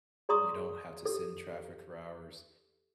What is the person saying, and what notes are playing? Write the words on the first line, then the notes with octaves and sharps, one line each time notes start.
you don't have to sit in traffic for hours.
G#4 D5 A#5 C6 C#6 D#6
G4 A4